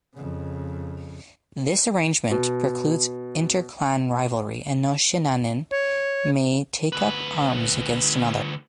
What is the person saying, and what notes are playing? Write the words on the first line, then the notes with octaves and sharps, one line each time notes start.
This arrangement precludes inter-clan rivalry, and no Shin'a'in may take up arms against another.
F2 C#3
B2
C#5
D2 B4